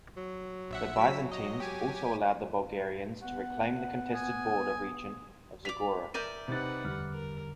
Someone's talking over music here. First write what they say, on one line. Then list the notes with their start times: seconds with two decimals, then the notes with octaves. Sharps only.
The Byzantines also allowed the Bulgarians to reclaim the contested border region of Zagora.
0.17 F#3
0.71 A#1 E5 F#5
0.96 F#3 E6 B6
1.32 D#5
1.60 G4 G#5
3.23 B3 F#5
4.13 G#5 D#6
5.65 D5 D6 B6 F7
6.14 A#4 D5 E5 G6 D#7
6.48 C3 D#4 B4 F#5 A6
6.84 E2 D3 G3 F6
7.13 A#4